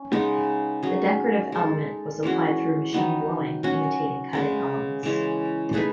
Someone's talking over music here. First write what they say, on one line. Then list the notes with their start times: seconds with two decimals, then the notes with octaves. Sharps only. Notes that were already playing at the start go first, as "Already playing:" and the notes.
The decorative element was applied through machine blowing imitating cutting elements.
Already playing: C#4
0.12 C#3 G#3 B3 D#4
0.83 F#3 C#4 G#4
1.52 G#3 D#4 A4
2.23 E3 G#3 C#4 F#4
2.93 D#3 F#3 B3 D#4
3.63 F#3 C#4 F#4
4.33 C#3 G#3 B3
5.03 C#3 E3 G#3 C#4
5.73 A3 D#4 G#4 B4